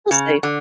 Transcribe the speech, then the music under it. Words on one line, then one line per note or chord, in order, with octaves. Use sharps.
we'll see.
C#3
D3